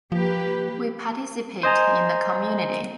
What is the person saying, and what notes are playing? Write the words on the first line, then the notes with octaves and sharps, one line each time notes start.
We participate in the community.
F3 A#3 G4 B4
C5 D#5 G#5 A#5